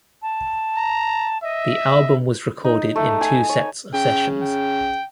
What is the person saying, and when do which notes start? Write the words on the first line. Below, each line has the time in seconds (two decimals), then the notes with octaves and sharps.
The album was recorded in two sets of sessions.
0.22 A5
0.77 A#5
1.43 D#5 E5
2.64 D#4
2.96 A3
3.21 G#5
3.49 C#5
3.94 C#3 G5
4.43 G5